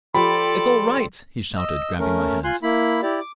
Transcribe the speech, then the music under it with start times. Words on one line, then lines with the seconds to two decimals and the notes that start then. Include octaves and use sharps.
"It's all right!" he shouted, grabbing my hands.
0.14 F3 G4 A4 D5 B5 C6
1.57 D#5 E6
1.99 A3 C#4 A#4
2.44 F4 G#5 C6 F#6
2.63 A#3 E4 B5
3.02 E4 G4 D5
3.21 D6